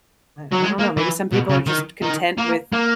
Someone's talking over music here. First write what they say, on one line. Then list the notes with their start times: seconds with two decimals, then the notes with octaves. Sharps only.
I I don't know, maybe some people are just content with
0.52 F#3
0.63 G#3
0.79 A#3
0.97 E3
1.32 B2
1.49 C#3
1.67 D#3
2.02 D#3
2.38 A#3
2.73 A#3